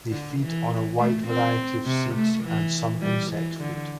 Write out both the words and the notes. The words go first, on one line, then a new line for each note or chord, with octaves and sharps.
They feed on a wide variety of seeds and some insect food.
D3
E3
A3
C4
C3
A3
E3
G3
E3
D3